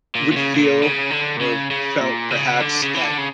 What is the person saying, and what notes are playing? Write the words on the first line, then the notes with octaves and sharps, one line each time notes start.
would feel or felt perhaps that
A#2
A#2
C#3
C#3
A#2
C#3
D3
A#2
C#3
C#3
A#2
C#3
D3
C#3
E3
D3
C#3